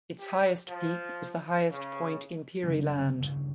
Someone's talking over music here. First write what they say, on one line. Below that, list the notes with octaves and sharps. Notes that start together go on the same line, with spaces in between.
Its highest peak is the highest point in Peary Land.
G4
F3
C#3
C#3 F#3 G3 C4
D2 G2 C#3